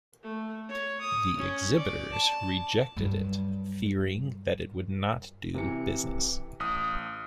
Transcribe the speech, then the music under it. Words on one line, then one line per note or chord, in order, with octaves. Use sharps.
The exhibitors rejected it, fearing that it would not do business.
A3
C#5
D#6
C#4
D5
A5
G2 F#3
C3 E3 C#7
A1 D#6